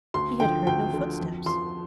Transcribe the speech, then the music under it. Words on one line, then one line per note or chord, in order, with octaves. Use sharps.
He had heard no footsteps.
D2 C6
D3 F3 G5
D2 G5
D3 F3
F2
F3 C6